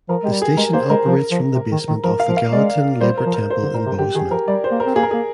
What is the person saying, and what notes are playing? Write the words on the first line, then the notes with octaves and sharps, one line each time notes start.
The station operates from the basement of the Gallatin Labor Temple in Bozeman.
F3 A#4
G#3 G4
G3
G#4
G#3 A#4
A#3 C5
G#3 A#4
F3
F3
C3
D#3
D#3
F3 A#4
F5
F3
F5
G#3 D5
G3 C5
A#4
F3
A#4
C5
D3
A#2 A#4
C3
D3 G4
D#3 G#4
F3 A#4
G3 D5
C5
A#3
A#4
C4
A#3 G#4
A#4
A#3 G#4